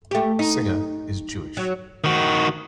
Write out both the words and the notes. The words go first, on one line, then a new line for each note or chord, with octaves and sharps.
Singer is Jewish.
A3 G4
D#4
F#3
D#3 F#4